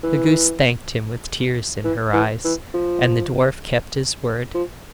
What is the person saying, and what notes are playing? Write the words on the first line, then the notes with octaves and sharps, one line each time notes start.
The goose thanked him with tears in her eyes, and the dwarf kept his word.
E3
E3
E3
E3
F3
F3